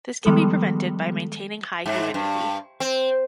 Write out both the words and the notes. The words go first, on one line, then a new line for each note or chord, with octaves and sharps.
This can be prevented by maintaining high humidity.
D#3 F3 G3 G#3 B3 A4
G#2
G2
C4